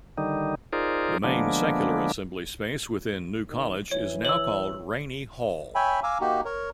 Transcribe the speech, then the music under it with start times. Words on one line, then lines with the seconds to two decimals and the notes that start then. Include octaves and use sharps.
The main secular assembly space within New College is now called Rainy Hall.
0.18 D3 D#3 G3 D#4
0.73 D#4 F4 G#4 A#4 C5 D5
1.24 D3 F3 G#3 A#3 B3 D4
3.50 D#3
3.91 E3 C#5
4.25 C#5 E6 F#7
5.75 C#5 E5 G5 G#5 B5
6.03 F5 G#5 A#5 D6 E6
6.20 A#3 D#4 F#4 G4
6.45 A#4 C#5